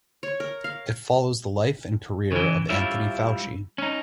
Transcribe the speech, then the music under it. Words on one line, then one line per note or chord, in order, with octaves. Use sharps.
It follows the life and career of Anthony Fauci.
C#5
A#4
F5
C#3 E3
G3 E4 F4 C#5 E5
C#4 D#4